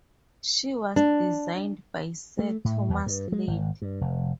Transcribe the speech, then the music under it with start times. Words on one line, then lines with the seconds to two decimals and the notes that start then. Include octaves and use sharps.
She was designed by Sir Thomas Slade.
0.96 D4
2.39 A3
2.65 A2
2.89 E2
3.06 G2
3.32 G#3
3.47 G#1
3.82 G2
4.01 F1